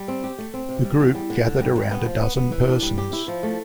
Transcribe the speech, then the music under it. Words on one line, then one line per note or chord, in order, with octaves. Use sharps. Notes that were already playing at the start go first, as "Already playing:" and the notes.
The group gathered around a dozen persons.
Already playing: G3
C4
G4
A3
C4
C3
G3
E2
G3
D3
D3
G2
G2
B3
F3
B3
B3
E3
D4
G3
G4
E4
F3
A3